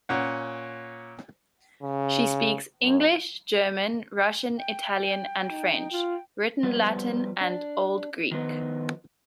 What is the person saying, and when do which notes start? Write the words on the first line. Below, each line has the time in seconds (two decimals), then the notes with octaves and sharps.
She speaks: English, German, Russian, Italian and French; written Latin and Old Greek.
0.09 A#2 C#4 F#5
1.83 C#3
2.82 F#2
4.58 G5
5.49 D#4
5.91 F4
6.63 F3 G3 B3
7.41 D4
8.32 D#3 F3 B3 D#4